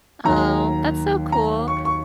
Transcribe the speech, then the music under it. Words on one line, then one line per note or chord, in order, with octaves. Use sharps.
Oh, that's so cool.
D#2 D#3 F#3 A#5
A#5
C#6
C#6